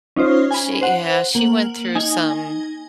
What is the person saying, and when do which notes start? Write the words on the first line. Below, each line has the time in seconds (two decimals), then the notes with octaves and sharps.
she, yeah, she went through some,
0.16 C#4 D#4 F4 C5
0.51 G#5 B5
0.81 C5 F#5
1.35 A#3 F#7
1.95 D#4 G#5